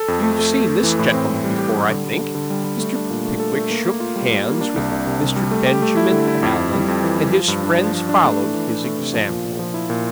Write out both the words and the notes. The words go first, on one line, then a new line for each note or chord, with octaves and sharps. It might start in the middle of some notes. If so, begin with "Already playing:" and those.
You've seen this gentleman before, I think?' Mr. Pickwick shook hands with Mr. Benjamin Allen, and his friends followed his example.
Already playing: A4
F2
A3
A3
A3
A3
E3
A2
C4
C4
G3
G4
G3
D3
G3
D3
D3
G3
G3
A3
D4
A#2
A3
A4
A3
A#3
A#3
F4
G3
G3
A#3
D4
C2
C2
C3
C2
G3
A3
G4
A3
E4
D3
E4
F2
F2
G3
F2
E3
G3
F3
G2
D4
F3
F3
D4
A3
E3
E3
E4
A3
C3
F3
A#2
A#2
F3
E4
A#2